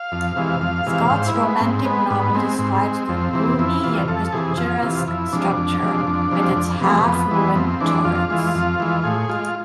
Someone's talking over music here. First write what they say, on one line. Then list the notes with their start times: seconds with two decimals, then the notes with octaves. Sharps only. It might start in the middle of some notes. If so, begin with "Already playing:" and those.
Scott's romantic novel describes the "gloomy yet picturesque structure", with its "half-ruined turrets".
Already playing: F5
0.12 F2
0.36 C3 E3 G#3
0.61 F2
0.86 C3 E3 G#3
1.10 G#2 C5
1.27 E4
1.36 G#3
1.43 B3
1.60 G#2 C4
1.85 G#3 B3
2.10 G#2 B3
2.35 G#3 C4
2.59 G#2
2.84 G#3
3.09 F2
3.33 C3 E3
3.59 F2 E4
3.84 C3 E3 F4
4.08 F2 A4
4.32 C3 E3 G#4
4.58 F2 F4
4.82 C3 E3 F4
5.08 F2 E4
5.32 C3 F3 G#3 D4
5.58 F2
5.82 C3 F3 G#3
6.07 F2
6.31 C3 F3 G#3
6.56 F2
6.81 C3 F3 G#3 B3
6.89 A3
6.97 B3
7.06 F2
7.31 E3 G#3
7.55 F2 C4
7.81 E3 G#3 D4
8.05 F2 F4
8.30 E3 G#3
8.55 F2
8.80 E3 G#3
9.04 A2 G#4
9.29 G#3 F4